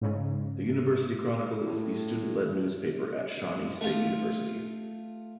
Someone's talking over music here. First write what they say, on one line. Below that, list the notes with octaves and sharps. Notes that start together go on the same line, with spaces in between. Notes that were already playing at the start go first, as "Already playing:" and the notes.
The University Chronicle is the student-led newspaper at Shawnee State University.
G#2 C#3
A2
A3 F4